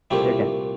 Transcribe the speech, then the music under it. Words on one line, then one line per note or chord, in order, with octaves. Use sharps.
They're done,
C2 A#2 A3 C4 E4 G4